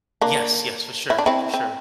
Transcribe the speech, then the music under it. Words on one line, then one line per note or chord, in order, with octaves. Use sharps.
Yes, yes, for sure, for sure.
A#3 D4
E4
D4
C4 E4
C4